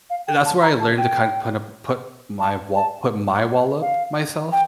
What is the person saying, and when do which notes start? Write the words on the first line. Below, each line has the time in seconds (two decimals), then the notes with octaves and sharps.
eh that's where I learned to kind of put up put my wall put my wall up myself
0.10 F5
0.27 G5
0.45 A5
0.62 A#5
0.80 A5
0.98 G5
2.40 A5
2.75 A5
3.81 F5
4.52 G5